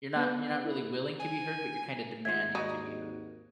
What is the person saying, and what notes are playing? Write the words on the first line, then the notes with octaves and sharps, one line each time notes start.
you're not you're not really willing to be heard, but you're kinda demanding to be heard.
B3
B3
E4
G#5
G#1 D#2 F4 G#4 E5 G#6
D#4 F#4 D5 D#5